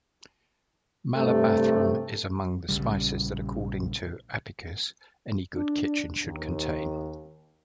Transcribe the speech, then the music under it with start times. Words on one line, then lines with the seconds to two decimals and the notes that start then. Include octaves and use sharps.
Malabathrum is among the spices that, according to Apicius, any good kitchen should contain.
1.16 G2 C3 A3
2.69 A#1 C#3 G3
5.54 D4
6.25 D#2